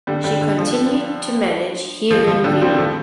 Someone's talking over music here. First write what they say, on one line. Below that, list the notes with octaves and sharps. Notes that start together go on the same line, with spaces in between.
She continued to manage Heerenveen.
D3 G3
D3 G3
D3
F3
F3
F3
D3 G3
G3 C4
F3 A3